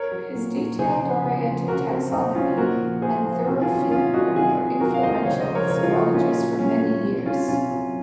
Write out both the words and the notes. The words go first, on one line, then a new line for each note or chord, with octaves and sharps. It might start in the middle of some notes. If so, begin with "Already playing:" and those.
His detail-oriented taxonomy and thorough field work were influential with zoologists for many years.
Already playing: A#4 C#5
F#3
A#2
F#3
C#3 G#4 C5
F3
C#3
F3
C#3 F#4 A#4
F#3 C4
C#3 C4 D#4
F#3 C#4 F4
A#2 F#4 A#4
F3
A#2 G#4 C5
F3
C3 F#4 A#4
F4 G#4
D#3 F#3
C#4
C3 C#4 F4
D#3 F#3 D#4 F#4
C3 F4 G#4
D#3 F#3
C3 F#4 A#4
F5
D#3 F#3 C5 D#5
C#3 C#5 F5
C5 D#5
F3
A#4 C#5
C#3 A#4 C#5
F4
F3 D#4 F#4
A#2 C#4 F4
F#3
A#2 C#4
F#3 C#4
C3
F#3 C#4 F4
C3 C#4 F4
F#3